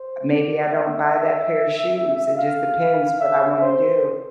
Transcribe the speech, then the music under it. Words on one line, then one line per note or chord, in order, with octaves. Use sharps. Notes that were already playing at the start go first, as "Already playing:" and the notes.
Maybe I don't buy that pair of shoes. It just depends what I wanna do.
Already playing: C5
D5
E5
F5
E5
C5